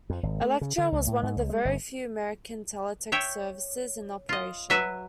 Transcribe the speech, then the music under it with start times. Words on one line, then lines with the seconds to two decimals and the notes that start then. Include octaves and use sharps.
Electra was one of the very few American teletext services in operation.
0.10 F2
0.23 G#1
0.41 A3
0.61 C#3
0.78 D3
0.92 C#2
1.07 A2
1.23 G#2
1.36 C#2
1.50 G#3
1.65 G1
3.12 C#5 E5 G5
4.29 F4 D#5
4.70 F#3 F#4 B4 E5